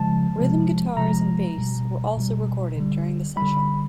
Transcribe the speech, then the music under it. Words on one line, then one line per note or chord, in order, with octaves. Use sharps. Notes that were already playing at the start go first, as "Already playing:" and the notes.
Rhythm guitars and bass were also recorded during the session.
Already playing: C#3 F3 G#3 A5
C3 F3 G#3
C3 F3 G#3 A#5
B2 G3
B2 G3
D3 G3
D3 G3 B5